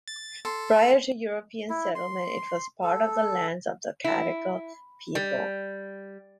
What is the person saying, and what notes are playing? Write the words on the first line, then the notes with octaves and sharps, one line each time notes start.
Prior to European settlement it was part of the lands of the Cadigal people.
A6
A4 C6
E4
C6
A4
E4
G3